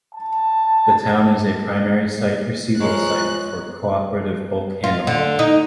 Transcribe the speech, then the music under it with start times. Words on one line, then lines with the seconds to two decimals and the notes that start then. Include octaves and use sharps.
The town is a primary site receival site for Cooperative Bulk Handling.
0.15 A5
2.80 F3 G#3 C#5 A#5 C#6 F#6
4.84 F4
5.07 D3
5.39 D#4